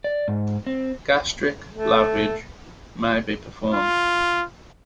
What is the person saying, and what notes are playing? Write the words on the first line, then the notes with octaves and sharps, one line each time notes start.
Gastric lavage may be performed.
D5
G#2
C4
A3
F4